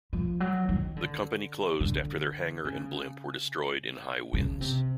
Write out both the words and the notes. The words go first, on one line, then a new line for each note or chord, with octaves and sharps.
The company closed after their hangar and blimp were destroyed in high winds.
F3
F#3
D#3
D3
D3
C#3
C#3
C3